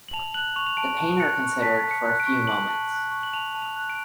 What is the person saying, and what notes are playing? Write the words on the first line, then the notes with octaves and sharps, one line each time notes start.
The painter considered for a few moments.
F#7
A5 F7
F#6 F#7
C#6 F7
F7
A5 D7
A5
F#6 C#7
C#6
A5 B6
A5
C#7
F#6
D7
C#6
A5 F#7
A5
F#6
C#6
F#7
A5 F7
A5
F7
F#6
D7